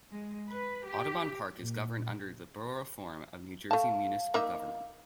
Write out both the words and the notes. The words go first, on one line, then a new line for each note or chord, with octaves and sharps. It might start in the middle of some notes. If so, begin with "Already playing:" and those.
Audubon Park is governed under the Borough form of New Jersey municipal government.
G#3
B4
G4
A#2
A3 F5 A5
A#3 D#4 E5